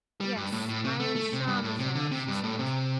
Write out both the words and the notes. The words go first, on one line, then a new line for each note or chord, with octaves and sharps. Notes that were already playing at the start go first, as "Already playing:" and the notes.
"Yes, I am 'Charmazel,'" she said.
G3
G2
A2
A2
C3
A3
A3
C3
G2
A2
C3
D3
C3
G2
A2
C3